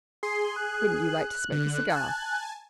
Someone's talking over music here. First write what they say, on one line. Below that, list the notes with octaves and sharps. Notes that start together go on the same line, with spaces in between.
Wouldn't you like to smoke a cigar?
G#4 C6
F#6
D3
G#5 A5